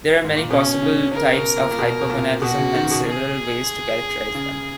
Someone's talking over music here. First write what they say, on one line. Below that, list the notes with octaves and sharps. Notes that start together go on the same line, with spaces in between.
There are many possible types of hypogonadism and several ways to categorize them.
G#2
A#2
B2 C#4
C#3
C#3 A#4
B2
A#2
A#2
B2
B2
A#2
B2 F#4
C#3
D#3
B2
G#4
C#3